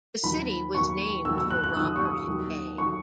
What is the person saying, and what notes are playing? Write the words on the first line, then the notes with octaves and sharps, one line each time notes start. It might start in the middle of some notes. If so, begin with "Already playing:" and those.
The city was named for Robert A.
D#2 D#3 F#3 B5
D#2 D#3 F#3 C#6
D#2 D#3 F#3 E6
E6
F#6
F#6
D#2 D#3 F#3 E6
D#6
C#6
D#6
D#2 D#3 F#3
D#3 F#3 C#6